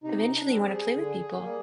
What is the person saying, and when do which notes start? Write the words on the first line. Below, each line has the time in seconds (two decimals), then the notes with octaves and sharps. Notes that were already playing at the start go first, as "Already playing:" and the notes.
Eventually, you wanna play with people.
0.04 C3 D#4
0.35 D4
0.50 G3 C4 G4
0.65 G#4
0.95 D3
1.40 G3 A#3